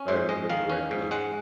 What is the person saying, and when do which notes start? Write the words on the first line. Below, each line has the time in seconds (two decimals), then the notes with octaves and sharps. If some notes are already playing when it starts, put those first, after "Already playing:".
I remember correctly.
Already playing: C#4
0.08 G#2 C5
0.29 G#3 D#5
0.49 D#3 F5
0.70 C#4
0.91 G#2
1.11 G#3 F#5